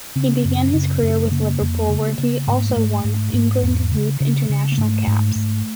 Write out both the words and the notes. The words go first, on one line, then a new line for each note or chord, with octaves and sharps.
He began his career with Liverpool, where he also won England Youth international caps.
C#3 C4
F#2
C#3
F#2
A3
C#3 A#3
F2
C#3
C#3
G#2 A3
A#3
A3
G#2
G#2
G#2
E2
C#3
C#3
C#3
A#3
G#2 A3
G#2
G#2